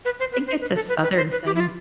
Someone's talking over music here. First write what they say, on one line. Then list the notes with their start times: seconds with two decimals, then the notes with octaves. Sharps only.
I think it's a Southern thing.
0.05 B4
0.20 C5
0.33 B4
0.47 C5
0.61 B4
0.75 A4
0.89 B4
1.03 B4
1.17 C5
1.31 B4
1.46 G4
1.55 E4
1.60 F4